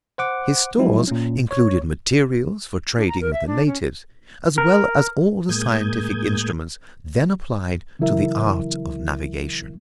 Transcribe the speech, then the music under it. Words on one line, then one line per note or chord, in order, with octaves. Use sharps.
His stores included materials for trading with the natives, as well as all the scientific instruments then applied to the art of navigation.
C5 F#5 D6
F3 F#3 G#3 D#4 E4
A#2 C#4
C#5
D4
A#5
A#4
E5
D4
C#4
A#4
A2 G#3 A#3 D#6 G6 G#6
C#3 E3 F#3 E4 A#4 E5